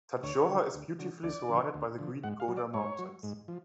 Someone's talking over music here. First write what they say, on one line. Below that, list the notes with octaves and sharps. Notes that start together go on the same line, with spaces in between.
Tadjoura is beautifully surrounded by the green Goda Mountains.
D2 C#5
D3 F#3
D2
D3 F#3
D2 D5
D3 F3
D2
D3 F3
G#2 F#5
F5
F#3
D5
G#2 C#5
F#3
G#2
F3